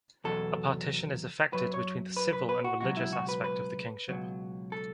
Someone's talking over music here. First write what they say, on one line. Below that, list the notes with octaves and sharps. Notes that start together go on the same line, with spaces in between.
A partition is effected between the civil and the religious aspect of the kingship.
E2 B2 F#3 A4
F#2 F#3 B4
C#5
B4
B4
B4
F#4
C#2 B2 F#3 F#4
E4
F#4
B4
B4
C#2 B2 F#3
A4